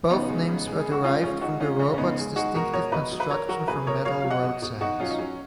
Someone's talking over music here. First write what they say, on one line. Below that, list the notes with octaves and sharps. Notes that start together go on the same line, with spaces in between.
Both names were derived from the robot's distinctive construction from metal roadsigns.
C#3 B3 D#4
G#3
C#3
G#3
G#4
G#3
F#4
G#3 C#4 F4
G#3 C#4 F4
F4
G#3 D#4 F#4
G#3 C#4 F4
C#3 C#4
C#4
G#3 B3 D#4
G#3
G#3 D#4 F#4
B2 F#4 A#4
B2 A#4 C#5
B2 B4 D#5
F#3
B4
F#3 A#4 C#5
F#3 F#4 A#4
B2 G#4 B4
B2 A#4 C#5
F#3 C#5 F5
F#3 F5
D#5 F#5
B2
B2
B2 D#4 F#4
F#3 C#4 F4
D#4
F#3 C#4